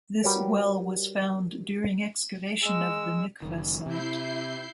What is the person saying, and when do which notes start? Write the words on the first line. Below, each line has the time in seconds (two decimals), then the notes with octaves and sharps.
This well was found during excavation of the mikvah site.
0.24 G3 F#4 G4 A#4 B4 C#5
2.63 G#3 E6
3.42 F#1 D#3
3.86 C3 E4 G6 C7